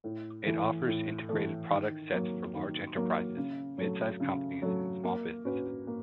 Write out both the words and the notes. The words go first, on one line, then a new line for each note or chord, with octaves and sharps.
It offers integrated product sets for large enterprises, mid-sized companies and small businesses.
A2
E3 A3
A2
E3 A3
D#3
F#3 A#3
D#3
F#3 A#3
C#3
F#3 A3
C#3
F#3 A3
A#3
C#4 F#4 B4
A#3